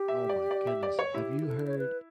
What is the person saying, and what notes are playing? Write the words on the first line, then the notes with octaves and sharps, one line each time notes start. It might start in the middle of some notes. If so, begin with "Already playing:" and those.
Oh my goodness, have you heard
Already playing: G4
E5
D5
D5
E5
D5
C#5
E4 G4
G4
A4
C#5
B4